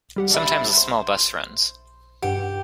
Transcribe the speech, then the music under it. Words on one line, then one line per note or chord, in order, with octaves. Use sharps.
Sometimes a small bus runs.
G3 G4 F#5
D4 E4
C5
G2 G4 F#5